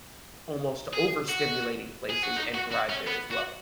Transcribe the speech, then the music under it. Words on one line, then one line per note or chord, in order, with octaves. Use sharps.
almost overstimulating places and thrive there as well.
G#4
F#4
G#4
F#4
D#4
F#4
F#4
C#4
B3
F#4